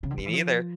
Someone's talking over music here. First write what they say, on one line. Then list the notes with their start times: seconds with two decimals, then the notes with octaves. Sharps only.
Me neither,
0.03 C#3
0.11 D3
0.18 D#3
0.26 E3
0.33 F3